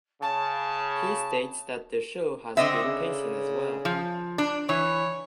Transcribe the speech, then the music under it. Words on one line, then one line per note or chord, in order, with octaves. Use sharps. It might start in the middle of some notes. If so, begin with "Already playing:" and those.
He states that the show has great pacing as well.
C#3 A5
D3 C4 D#5 E5
C#3
F3
D4
E3 C#5